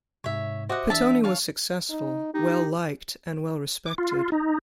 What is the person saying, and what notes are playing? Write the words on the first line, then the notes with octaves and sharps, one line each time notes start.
Pittoni was successful, well liked and well respected.
G#2 C3 C#5 E5
F#4 C5 D#5 E5 F#5 D6
E3 D4 E5 A5
C#5 F5 A5
D#4
D#4 G4
D6
F4
D#4